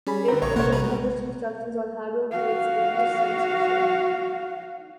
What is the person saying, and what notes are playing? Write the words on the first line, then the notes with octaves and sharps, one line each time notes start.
It later published instructions on how to "avoid Spanish censorship".
G3 C#4 G#4 B5
D3 C4 A#5
A#1 A#2 C#5 A#5 C#6
C3 A#3 A#4 C5 C#5 F#5
G3 B4 A#5
B2 G#3
F#4 F5